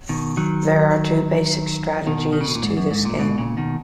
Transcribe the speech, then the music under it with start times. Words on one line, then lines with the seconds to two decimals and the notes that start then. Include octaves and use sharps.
There are two basic strategies to this game.
0.09 B2 D#3
0.37 D#3 F#3
2.07 B2 D#3
2.33 D#3
2.41 C#3
2.48 B2
2.55 A#2
2.63 G#2
2.77 F#2
2.91 G#2
3.05 A#2
3.19 G#2 B2
3.38 A#2 C#3
3.57 B2 D#3